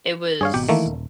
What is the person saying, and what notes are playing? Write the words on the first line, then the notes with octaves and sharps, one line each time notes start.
It was
G2 G#4 C#5 F5
G#1 B2 G4
D#3 E3 A3 A#3
D#1